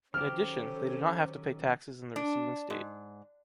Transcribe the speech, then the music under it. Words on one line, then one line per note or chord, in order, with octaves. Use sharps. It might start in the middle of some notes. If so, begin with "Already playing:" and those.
In addition, they do not have to pay taxes in the receiving state.
D#3 F#3 C#4 G4 A4 C5 F6
D4
G#2